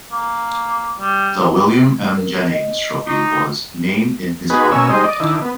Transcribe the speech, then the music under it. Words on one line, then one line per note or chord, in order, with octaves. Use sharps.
The William M. Jennings Trophy was named in his honor.
A#3
G3
A#4
D#5
D#4 C#6 D6
B3 D#4 F#4 G#4 B4
B2 A#3 C#4 C#5 G#5 E6
G3 G#3 D#4 C5 D#5
D5 D#5
D#3 D4 E4
B3